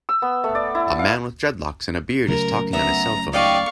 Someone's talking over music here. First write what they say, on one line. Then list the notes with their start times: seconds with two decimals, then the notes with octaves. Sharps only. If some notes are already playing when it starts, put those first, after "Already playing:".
A man with dreadlocks and a beard is talking on his cellphone.
0.09 E6
0.22 B3
0.44 A3
0.55 D5
0.75 E4
0.99 F5
2.28 C#3 F#3 A3 A#4
2.73 B3 E5 A#5
3.33 D#4 G4 D5 D#5 F5 C#6